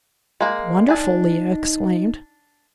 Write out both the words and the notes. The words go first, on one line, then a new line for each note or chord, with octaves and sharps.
"Wonderful!" Lea exclaimed.
G#3 A#3
D4 D#4 G#5